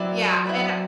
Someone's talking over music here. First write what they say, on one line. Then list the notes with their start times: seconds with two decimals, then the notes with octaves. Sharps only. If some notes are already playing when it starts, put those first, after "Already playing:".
Yeah, and a
Already playing: F#3 C4 E4 B4 D5
0.45 C4 E4 B4 D5